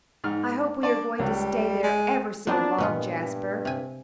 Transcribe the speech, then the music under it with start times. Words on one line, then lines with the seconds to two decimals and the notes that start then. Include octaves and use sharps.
"I hope we are going to stay there ever so long, Jasper."
0.24 G#2 F6
0.83 D4 D5
1.19 C#2 G3
1.83 G#3
2.47 F3 B3 C4 D4 A#4 C5
2.78 G2 A#2 G#3 B3 F4
3.65 C3 G#5